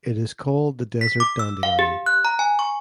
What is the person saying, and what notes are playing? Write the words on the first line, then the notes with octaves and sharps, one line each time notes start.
It is called the desert dandelion.
B6
D6
E6
F5
G4
F#6
A#5
G#5
C#6